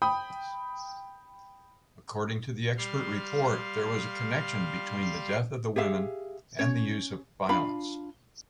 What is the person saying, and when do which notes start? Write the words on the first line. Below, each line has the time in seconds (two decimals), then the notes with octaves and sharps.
According to the expert report, there was a connection between the death of the women and the use of violence.
0.02 G5 B5 D#6
2.77 G3 F5 C6
5.76 G4 G#4 E5 F5
6.59 C#4 C#5
7.49 D4 F4 F5 B5